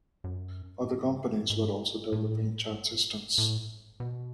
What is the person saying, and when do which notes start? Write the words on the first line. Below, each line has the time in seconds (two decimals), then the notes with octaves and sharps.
Other companies were also developing chat systems.
0.24 F#2
1.50 G#2
2.12 A2
3.38 A2
4.00 B2